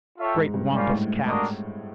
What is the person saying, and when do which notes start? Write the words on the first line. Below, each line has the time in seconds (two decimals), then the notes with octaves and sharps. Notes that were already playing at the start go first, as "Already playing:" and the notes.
Great Wampus Cats!
0.17 F4 A4 C#5 E5 G5
0.36 G#2
0.54 G2
0.71 G#2 G3 A#3 C#4 F4
0.90 A2
1.26 A#3 D4 F#4 A#4 D#5